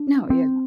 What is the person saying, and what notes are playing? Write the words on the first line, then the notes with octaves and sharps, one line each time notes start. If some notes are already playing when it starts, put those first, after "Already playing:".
No, yeah.
Already playing: D4
C4